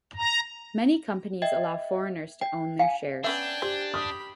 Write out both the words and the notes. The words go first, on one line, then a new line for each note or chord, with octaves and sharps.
Many companies allow foreigners to own their shares.
A#5
D#5 E5 G5
G5
F5 G#5
B3 C#4 D4 E5 G5 G#5
G4 C5
G4 B5 D#6